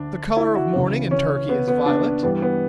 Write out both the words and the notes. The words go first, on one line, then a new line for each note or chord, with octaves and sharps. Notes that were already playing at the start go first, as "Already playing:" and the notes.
The color of mourning in Turkey is violet.
Already playing: D2 D3 D4
E4
F#4
C#2 C#3 E3
C#4
B3
B3
D4
G2 E3 G3 B3
B3